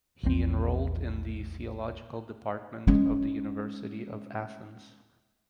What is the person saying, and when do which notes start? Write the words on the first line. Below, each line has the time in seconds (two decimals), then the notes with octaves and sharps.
He enrolled in the Theological Department of the University of Athens.
0.23 A#1 E2 F3 C4
2.87 G#3 C#4